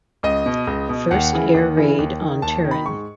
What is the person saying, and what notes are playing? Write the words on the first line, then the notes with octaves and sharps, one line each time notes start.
First air raid on Turin.
C#2 D#5
B2
C#2
B2
D#2 F#5
C#3 E3
D#2
C#3 E3
D#2
D#3
D#2 A5
D#3
B5
G#2 C#6